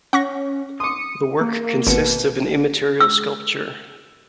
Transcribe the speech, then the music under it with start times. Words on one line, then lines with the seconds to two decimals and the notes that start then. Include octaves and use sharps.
The work consists of an immaterial sculpture.
0.13 C#4 F#5 C#6 A#6
0.80 C6 D6 D#6 C#7
1.41 A#3
1.87 G#1 B2 B3 C#7
3.01 E6